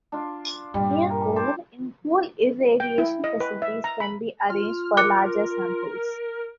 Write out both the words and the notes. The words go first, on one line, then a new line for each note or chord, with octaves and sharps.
Near core, in-pool irradiation facilities can be arranged for larger samples.
D4 F4
G2 A#2 G3
A#4
C5 A5 D6
G5
E4
D#5
B4
E5
A#5
B5
F4 F6
A#4 D6 F#6 C#7